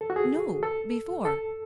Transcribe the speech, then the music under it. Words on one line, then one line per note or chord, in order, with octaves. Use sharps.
"No, before."
A4
F#4
G#4
A4
A4